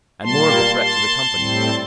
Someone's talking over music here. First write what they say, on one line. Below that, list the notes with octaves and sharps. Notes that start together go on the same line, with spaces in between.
And more of a threat to the Company.
A#2 G3 A#3 A5 C6
A5 C6
A2 G3 C4